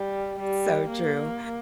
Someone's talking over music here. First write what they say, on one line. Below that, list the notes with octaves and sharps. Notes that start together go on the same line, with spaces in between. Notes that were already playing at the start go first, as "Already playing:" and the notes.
So true.
Already playing: G3
G3
A#3